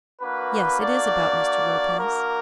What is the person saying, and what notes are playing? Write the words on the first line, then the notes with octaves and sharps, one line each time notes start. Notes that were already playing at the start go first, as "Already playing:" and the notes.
Yes; it is about Mr. Lopez.
A#3 D4 F#4 B4
D5
A#4